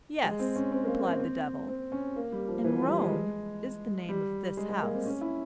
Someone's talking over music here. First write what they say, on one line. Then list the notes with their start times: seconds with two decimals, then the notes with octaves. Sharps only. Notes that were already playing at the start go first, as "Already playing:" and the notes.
"Yes," replied the devil, "and Rome is the name of this house."
0.24 G#3
0.39 C4
0.56 C#4
0.72 C4
0.88 A#3
1.04 C4
1.20 C4
1.68 C4
1.92 C#4
2.16 A#3
2.32 G3
2.48 F3
2.64 E3
2.76 F3
2.88 G3
3.01 G#3
4.09 G3
4.57 G#3
4.69 G#3
4.81 A#3
4.93 C4
5.05 C#4
5.21 E4